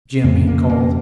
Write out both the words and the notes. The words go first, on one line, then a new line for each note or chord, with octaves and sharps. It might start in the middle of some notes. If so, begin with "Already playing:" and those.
Jim!' he called.
F2 C#3 C4
A#3
A#3